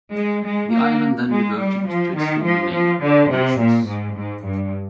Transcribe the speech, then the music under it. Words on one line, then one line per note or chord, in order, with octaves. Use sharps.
The island then reverted to its former name, 'Mauritius'.
G#3
G#3
A#3
G#3
G3
F3
D#3
F3
F3
D3
C3
A#2
G#2
G#2
G2